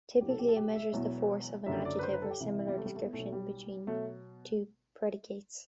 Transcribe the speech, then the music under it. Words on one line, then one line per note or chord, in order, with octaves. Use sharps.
Typically, it measures the force of an adjective or similar description between two predicates.
C2 B2 F#3 G4
A4
G4
A4
G4
E5
E1 E2 B2 F#3
F#1 F#2 D3 F#3 E5
D5
B4
C5
B4
A4
G4
C2 C3 E3 E4
E4
G3
A3
G3
A3
B3
B1 B2 F#3 A3
G3
B2 F#3 A3